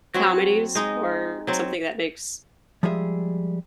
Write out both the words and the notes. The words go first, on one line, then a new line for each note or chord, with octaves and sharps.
comedies, or something that makes
F#3 C4 F#4
G#3 D#4
F#3 C4
F3 G3 G#3 G#4 D#5 E5